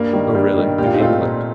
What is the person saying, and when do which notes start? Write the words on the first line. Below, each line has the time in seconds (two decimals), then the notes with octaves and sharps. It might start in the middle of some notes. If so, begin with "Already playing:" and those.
"Oh, really--in England?"
Already playing: G2 A#3
0.13 D#3 G3
0.34 G2 G4
0.56 D#3 G3
0.78 A#2 G4
0.86 F4
0.94 D#4
0.99 A3 C4 F4
1.21 A#2